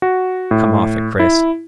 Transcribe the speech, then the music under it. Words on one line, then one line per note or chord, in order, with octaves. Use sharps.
"Come off it, Chris!"
F#4
A2
E4